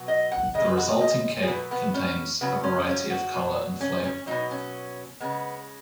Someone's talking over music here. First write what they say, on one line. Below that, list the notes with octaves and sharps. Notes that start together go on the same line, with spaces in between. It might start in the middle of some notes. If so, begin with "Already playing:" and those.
The resulting cake contains a variety of colour and flavour.
Already playing: B2 F#3
D#5
F#5
C#3 G#3 D#5
B4
F#4
D#5
D#5
G#4
B2 F#3 B4
B3
C#4
C#3 F#3 B3
C#4
C#4
F#4
B2 F#3
C#4
C#4
B2 F#3 D#4
C#4
C#3 G#3 B3